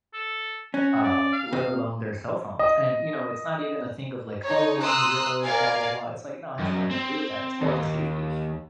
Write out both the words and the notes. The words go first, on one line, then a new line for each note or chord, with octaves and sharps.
uh, let alone their cell phones. And, you know, it's not even a thing of, like, "Oh," you know, "You're old, blah blah blah," it's like, no, it has nothing to do with that, it's more of a safety issue,
A4
C#4 F#4
D5
F5
C3
D#5
D#4 C#5
A#5 C6 D#6 E6 F#6
A#4 D5 F5 G#5
F#2
C4
D#2